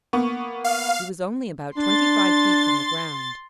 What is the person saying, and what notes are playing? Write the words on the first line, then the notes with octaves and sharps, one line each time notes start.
He was only about twenty-five feet from the ground.
A#3 B3 C#6
F5
D4 C6 A6